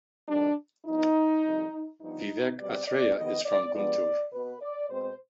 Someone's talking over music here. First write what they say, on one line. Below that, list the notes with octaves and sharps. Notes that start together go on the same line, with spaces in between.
Vivek Athreya is from Guntur.
F2 D#3 G3 D4
G2 F3 B3 D#4
F2 C3 D#3 G3
G2 F3 B3 D#4
B2 G3 C4 D5
D5
F2 D#3 B3 D#5
D5
G2 F3 G#3 B3 D5
B2 B3 B4
D5
B2 G#3 C4 C5